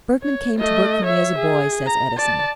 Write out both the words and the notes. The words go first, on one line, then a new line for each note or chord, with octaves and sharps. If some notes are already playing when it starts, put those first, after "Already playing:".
"Bergmann came to work for me as a boy," says Edison.
C#5
A3 D#5
C#5 E5
G#4
A#5
D5 A5